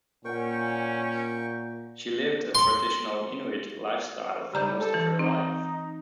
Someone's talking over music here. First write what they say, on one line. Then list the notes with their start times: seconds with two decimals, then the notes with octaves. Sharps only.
She lived a traditional Inuit lifestyle for most of her life.
0.25 A#2 C#4 A#4 F#5 G5 C#6
2.55 C6
4.54 C#3 G3 A#5 G6
4.81 A4
4.94 E3
5.19 C4 D#4